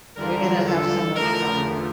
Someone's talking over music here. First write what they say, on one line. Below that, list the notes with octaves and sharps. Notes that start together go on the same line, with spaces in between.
You're gonna have so much fun.
E2 D3 G3 D4 F4 A#4
A4
E2 D3 F3 A3 A#4